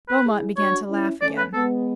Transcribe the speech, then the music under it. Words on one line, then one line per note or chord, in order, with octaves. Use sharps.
Beaumont began to laugh again.
B4
E4 G#4
D4 F#4 C#5
C#4 E4
A3 C#4 D5
B4
G#3 B3 A4